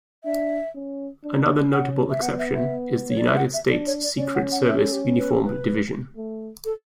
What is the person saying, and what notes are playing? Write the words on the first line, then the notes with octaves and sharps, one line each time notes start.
Another notable exception is the United States Secret Service Uniformed Division.
D4 E5
C#4
D4
C#4 F#5
E5
B3 F#5
E5
E5
C#5
D5
E5
F#5
E5
D4 D5
C#5
D5
C#4 D5
F#5
F#5
E5
A4
G4
B4
A4
B4
A3
A4